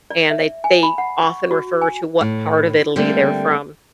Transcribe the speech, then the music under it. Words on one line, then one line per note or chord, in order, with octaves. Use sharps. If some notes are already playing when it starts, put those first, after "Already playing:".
and they they often refer to what part of Italy they're from.
D5
E5
G#5
B5
F#5
C#6
F#4
G#5
A2
D3 G3 A3 A#3 C4